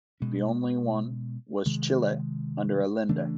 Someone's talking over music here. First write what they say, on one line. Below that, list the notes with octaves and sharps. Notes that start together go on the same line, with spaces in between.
The only one was Chile under Allende.
B2 G#3 C#4
C3 D#3 G#3
C#3 E3 A3 D4